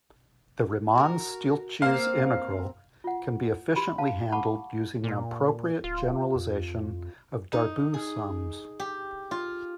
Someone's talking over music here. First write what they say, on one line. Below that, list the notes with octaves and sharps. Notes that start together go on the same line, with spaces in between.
The Riemann-Stieltjes integral can be efficiently handled using an appropriate generalization of Darboux sums.
F#4 G4 A#4
A#3 C4 C5 F5
F4 F#5
G4 B5 C6
F5 A5
F#5 A5 B5 C#6 D6
A#2
D1 F4
F2
D#4
G#4
G4
F4